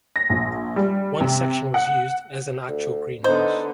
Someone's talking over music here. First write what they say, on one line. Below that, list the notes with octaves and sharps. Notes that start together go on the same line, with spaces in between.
One section was used as an actual greenhouse.
A#6
A#1
G3
C3
F#5
D2
D3 B3 D#4 C5